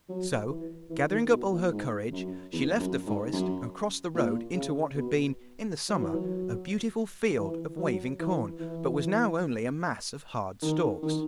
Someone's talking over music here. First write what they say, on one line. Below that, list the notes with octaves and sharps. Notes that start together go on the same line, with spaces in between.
So, gathering up all her courage, she left the forest and crossed the road into what had been, in the summer, a beautiful field of waving corn, but was now only a mass of hard stalks.
F#3
E3
E3
D#3
B2
A#2
G#2
F#2
E2
F#2
G#2
F#2
A#2
C#3
B2
F#3
E3
F#3
E3
F#3
E3
E3
D#3
D#3